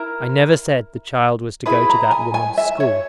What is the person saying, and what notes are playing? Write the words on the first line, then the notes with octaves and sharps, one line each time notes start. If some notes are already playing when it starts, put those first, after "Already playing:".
I never said the child was to go to that woman's school.
Already playing: E4 A#4 A#5
E4 G#4 B4 B5
A#5
G#5
G#5
E5
C#5